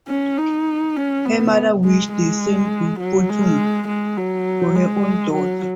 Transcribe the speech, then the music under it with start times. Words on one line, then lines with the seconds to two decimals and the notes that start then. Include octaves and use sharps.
Her mother wished the same good fortune for her own daughter.
0.08 C#4
0.38 D#4
0.96 C#4
1.25 B3
1.84 G#3
2.13 G#3
3.00 F#3
3.29 G#3
3.88 G#3
4.17 F#3
4.75 G#3
5.34 F#3